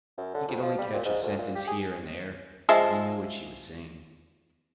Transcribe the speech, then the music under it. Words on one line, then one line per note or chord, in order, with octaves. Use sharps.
He could only catch a sentence here and there, yet he knew what she was saying....
F#2
D3
F2
F3
G3
A#2
G#2
D2
A#2
G4
G#4
F3 G#3 E5